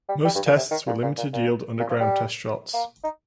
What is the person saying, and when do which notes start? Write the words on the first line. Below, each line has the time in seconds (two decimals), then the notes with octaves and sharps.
Most tests were limited-yield underground test shots.
0.09 G3
0.25 G3
0.35 G2
0.45 A#2
0.56 C3
0.71 D#3
0.87 A#2
1.03 A#2
1.18 A#2
1.33 A#2
1.80 A#2
1.90 F3
2.01 G3
2.74 A#3
3.04 D#4